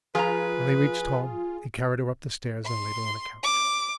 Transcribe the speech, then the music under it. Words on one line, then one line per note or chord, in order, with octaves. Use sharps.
When they reached home he carried her up the stairs and laid her on a couch.
F3 F4 G#4 B4 A#5
C6
D6